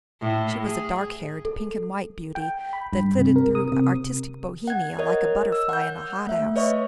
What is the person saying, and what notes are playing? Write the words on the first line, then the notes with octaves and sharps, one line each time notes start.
She was a dark-haired, pink-and-white beauty that flitted through artistic Bohemia like a butterfly in a hothouse.
A2
G#4
A4
G5
B5
G2
C3
A#4
D#6
C3
F#5 G#6
A#4 C#5 D#5
E6
F#5 G6
A3 E5
B4 C#5 D#5 E5 C#6